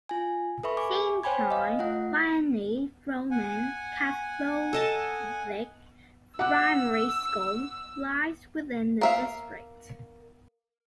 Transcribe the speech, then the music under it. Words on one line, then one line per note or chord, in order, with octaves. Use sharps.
Saint John Vianney Roman Catholic Primary School lies within the district.
F4 G#5
A4 B4 E5 B5 C#6
G#5 C#6 D6
C5 C#5 G5 G#5 B5 G#6
D#5 F5
A3 F4 F#5
F#5 G#5
A4 D#5 A5
F#5 D6 E6 F#6
A#3 E5 F5